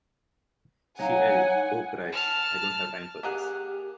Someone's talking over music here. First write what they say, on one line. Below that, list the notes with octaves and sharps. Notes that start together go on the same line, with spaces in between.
She yelled, 'Oh, Christ, I don't have time for this.
F#3 D#4 F5 F#5 G#5
A5 F6
A#3 G4 G#4 F#5